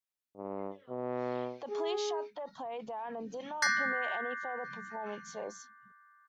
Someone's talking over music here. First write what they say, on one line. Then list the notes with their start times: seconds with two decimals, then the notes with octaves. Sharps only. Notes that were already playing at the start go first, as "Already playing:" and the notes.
The police shut the play down and did not permit any further performances.
0.37 G2
0.90 B2
1.70 G#4
3.62 D6 F#6 G6 A6 A#6 C7